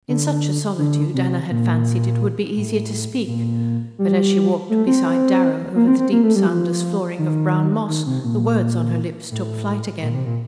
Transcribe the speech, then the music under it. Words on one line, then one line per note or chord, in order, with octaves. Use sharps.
In such a solitude Anna had fancied it would be easier to speak; but as she walked beside Darrow over the deep soundless flooring of brown moss the words on her lips took flight again.
D3
D3
C3
A#2
A2
A#2
G3
A3
C4
A#3
C4
C4
A#3
A3
G3
F3
D#3
D#3
C3
A#2
A2
A#2
C3
A#2